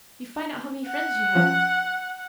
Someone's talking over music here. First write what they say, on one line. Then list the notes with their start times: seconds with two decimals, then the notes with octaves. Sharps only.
You find out how many friends you have.
0.87 F#5
1.35 F3 C#4